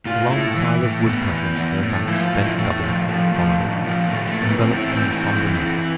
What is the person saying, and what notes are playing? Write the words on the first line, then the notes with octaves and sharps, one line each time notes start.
A long file of woodcutters, their backs bent double, followed, enveloped in the somber night.
A2 F4
A2 E4
E3
A2
A2 B3
E3
E3
A2
F3 E4
F4
A2
E4
A2 A3
F3
F3
F3
A2
F3
A2 A3
A3
A2
B3
A2 C4
E4
E3
C4
E3
E3
E3